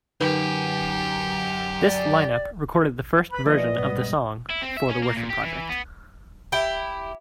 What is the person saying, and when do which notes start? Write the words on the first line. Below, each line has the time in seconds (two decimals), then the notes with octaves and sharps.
This line-up recorded the first version of the song for "The Worship Project".
0.21 F#2 D3 D#4 G4 B4
1.82 D5
3.31 B4 B5
3.46 E3 F3 A#3 F4 D5 D#5
3.77 G#2 B2 G3 B3
4.50 E4
4.62 C4
4.77 E5
4.89 C#4
5.03 A#3
5.17 A#2
5.30 G4
5.43 E3
5.69 B3
6.52 E4 G4